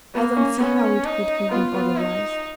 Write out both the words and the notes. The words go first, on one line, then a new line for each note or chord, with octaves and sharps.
I don't see how it could have been otherwise.
A#3 B3
C#4
B3 C#4
D#4
B3 F4
B3
D#4